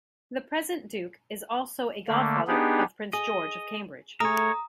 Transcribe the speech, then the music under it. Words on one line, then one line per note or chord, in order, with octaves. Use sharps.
The present Duke is also a godfather of Prince George of Cambridge.
D3 A3 A#3
B3 D4 D#4 G4 G#4
G#4 D#5
A3 G#4 A#4 C#5 A#5 D#6